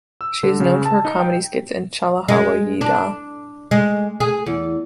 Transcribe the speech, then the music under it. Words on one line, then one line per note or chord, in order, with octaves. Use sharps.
She is known for her comedy skits in Chala Hawa Yeu Dya.
E6
D3
C#3
A5
D#4
G5
G#3
D4
G#3
G#4
E2